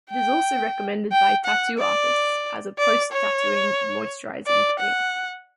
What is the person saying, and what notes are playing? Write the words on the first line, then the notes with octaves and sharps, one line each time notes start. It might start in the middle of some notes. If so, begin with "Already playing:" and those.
It is also recommended by tattoo artists as a post-tattooing moisturising cream.
G5
G5
F#5
D5
D5
C#5
D5
F#5